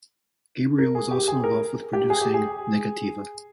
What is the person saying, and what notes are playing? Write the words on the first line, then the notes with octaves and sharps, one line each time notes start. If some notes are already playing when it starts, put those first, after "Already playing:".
Gabriel was also involved with producing "Negativa".
A#4
G#4
G4
G#4
A#4
G4
G#4
G4
G#4